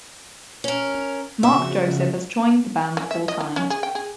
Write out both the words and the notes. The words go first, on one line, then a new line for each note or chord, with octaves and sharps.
Mark Joseph has joined the band full-time.
C#4 A#4
C#3 F3 F#4 E5
E3
E5
D#5
E4
C#4
G#4
G5
G#4